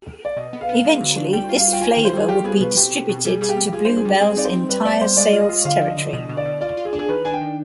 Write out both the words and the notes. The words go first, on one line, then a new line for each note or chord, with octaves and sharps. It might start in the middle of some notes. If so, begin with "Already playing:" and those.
Eventually, this flavor would be distributed to Blue Bell's entire sales territory.
D5
B2 D#5
B3
F5
B3
G#3
D3
D4
G3 G5
F4
F5
F4
G5
F4 G#5
D#3 G5
C5
G3 G#4
F4 G4
B3 G#4
B2 B4
C4 G4
B2
B2
G3 G#4
G3 G#4
G4
G3
G4
F4 G#4
D4 C5
G#4
G3 G4
C4 G#4
D#4 D5
C5
C4
G3 B4
B3 D5
G3 C5
G#3 D5
F4
D#5
F4
D3 F5
F3
D#5
D3
B2 D#5
B2
D5
B2
F4 D5
F4
G#4
D4
G#4
D#3 B4
D4 G#5
G5
D#3